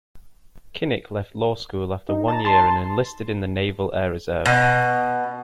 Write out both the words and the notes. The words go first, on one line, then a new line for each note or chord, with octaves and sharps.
Kinnick left law school after one year and enlisted in the Naval Air Reserve.
D#4
A5 A#5
A5 C6
B2